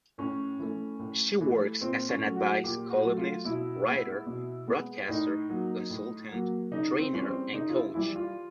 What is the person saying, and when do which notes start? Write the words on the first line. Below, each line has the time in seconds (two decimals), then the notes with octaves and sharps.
She works as an advice columnist, writer, broadcaster, consultant, trainer and coach.
0.18 A2 C#4
0.59 E3 A3
0.99 A2
1.41 E3 A3
1.81 A#2 C4
2.09 C#4
2.22 F#3 A3
2.36 F#4
2.64 A#2 G4
2.90 F#4
3.04 F#3 A3
3.17 F4
3.45 B2 E4
3.86 G#3 B3
4.26 B2
4.68 G#3 B3
5.09 A2 D#4
5.49 F#3 A#3
5.90 A2
6.32 F#3 A#3
6.71 C#3 D#4
6.99 C4
7.13 E3 G3 C#4
7.26 C4
7.53 C#3 D#4
7.70 F4
7.74 E4
7.94 E3 G3 E4
8.16 F4